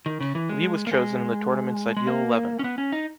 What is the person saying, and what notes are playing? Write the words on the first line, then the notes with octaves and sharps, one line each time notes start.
Lee was chosen in the Tournament’s ideal eleven.
D#3
C#3
E3
G#3
A#3
G#3
G#3
A#3
C#4
B3
C#4
D#4